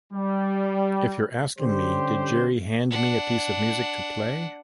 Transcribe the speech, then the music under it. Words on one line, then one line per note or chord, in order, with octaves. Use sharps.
If you're asking me: 'Did Gerry hand me a piece of music to play?
G3
D3 G3 C#4 G4 C5
D4 F#5